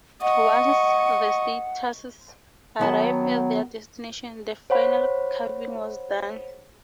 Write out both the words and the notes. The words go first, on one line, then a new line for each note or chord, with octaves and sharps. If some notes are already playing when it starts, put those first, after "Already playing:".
Once the statues arrived at their destination, the final carving was done.
D#5 F#5 C#6
D#3 F#3 B3 A5
C5 C#5 F#5 B5